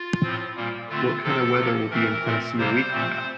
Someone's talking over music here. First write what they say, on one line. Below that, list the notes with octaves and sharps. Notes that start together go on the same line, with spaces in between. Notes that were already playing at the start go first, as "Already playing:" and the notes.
What kind of weather will be in Tennessee a week from now ?
Already playing: F4
A2 F3 C4
A#2 G3 A#3
D3 A3 C4 F4
C3 F3 C4 A4
C3 F3 A#3
E3 A3 C4 A#4
A#2 A3 C4
C3 G3 A#3 C5
A#2 A3 C4